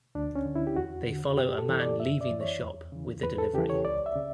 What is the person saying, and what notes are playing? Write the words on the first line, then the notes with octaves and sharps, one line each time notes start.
They follow a man leaving the shop with a delivery.
D2 D4
C#4
D3
E4
G4
E2 F#4
D3
F#2 G4
A4
C#3 E3
D5
F#2 E5
D5
E3
C#5
E2
C#3 E3
E2 B4
A4
C#3 E3 G4
C#5
C#2 D5
E5
C#3